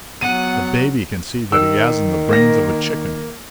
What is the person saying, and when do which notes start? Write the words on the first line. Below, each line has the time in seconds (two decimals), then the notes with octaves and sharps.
A baby can see that he hasn't the brains of a chicken.
0.21 F#3 B3 F#5 D#7
1.52 D#3 E6
2.29 A#3 A#6